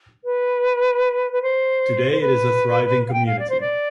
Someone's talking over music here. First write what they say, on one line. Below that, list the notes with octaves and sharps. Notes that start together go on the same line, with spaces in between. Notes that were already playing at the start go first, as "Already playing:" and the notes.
Today it is a thriving community.
B4
B4
C5
C5
B4
F5
G5
F5
D5
C5
D5